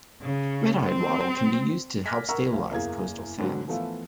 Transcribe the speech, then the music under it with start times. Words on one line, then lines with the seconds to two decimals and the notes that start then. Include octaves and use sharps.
Red-eyed wattle can be used to help stabilise coastal sands.
0.22 C#3
0.86 C4
2.06 D6 F6 F#6 G#6 A#6 B6
2.29 A#4 F#5 A#5 C#6 E6
2.52 D2 F3
2.71 F#1 E2 A#3 G#4 G#6
3.40 G#2 D3 D#3 F#3
3.68 E3 F3 A3 B3 E4 F4